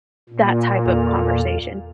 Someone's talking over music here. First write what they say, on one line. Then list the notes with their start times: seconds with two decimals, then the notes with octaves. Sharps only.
that type of conversation.
0.29 A#2
0.86 E2 A4 F5